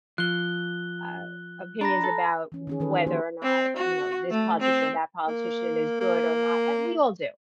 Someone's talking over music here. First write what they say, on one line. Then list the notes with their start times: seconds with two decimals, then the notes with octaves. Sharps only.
uh, opinions about whether or not, you know, this politician or that politician is good or not, and we all do,
0.18 F3 F#6 G7
1.81 D4 A#5 B5 A#6
2.04 A4
2.52 E3 C#4
2.67 D#3 C#4 G#4
2.80 D#3 E3 C#4 A4 B4
3.07 F3 A#3 F#4 G4 C5
3.43 C4
3.77 F#4
4.31 A3
4.61 C4
5.28 A#3
6.00 A#3